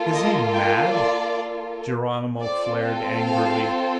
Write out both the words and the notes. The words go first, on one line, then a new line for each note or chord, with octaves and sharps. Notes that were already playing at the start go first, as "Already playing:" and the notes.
"Is he mad?" Geronimo flared angrily.
Already playing: A#3 F4 A4
D#5
G5
D5
C4 F4 A4 D5
F5